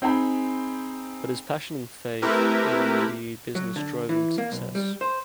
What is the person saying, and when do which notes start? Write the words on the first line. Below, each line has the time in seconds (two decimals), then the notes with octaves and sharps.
But his passion and faith in the business drove him to success.
0.02 C4 D#4 G#4 G5 G#5 B5
2.22 A3 C4 E4 G4 A#4 B4
3.55 F#3
3.76 D3
4.09 E3
4.38 A#3
4.52 B1
4.75 G3
5.01 C5